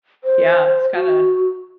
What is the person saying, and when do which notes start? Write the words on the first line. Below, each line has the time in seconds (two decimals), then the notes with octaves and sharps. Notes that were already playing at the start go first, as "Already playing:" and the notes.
Yeah, it's kinda
0.24 C5
0.95 F#4